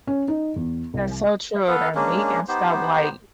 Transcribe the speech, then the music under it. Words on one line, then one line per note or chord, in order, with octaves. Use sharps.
That's so true, they're making stuff like
C#4
D#4
E2
C2
B3 A4 B4 F5
G#3 A#3 C#4 D4
B3 D#4 G4 C5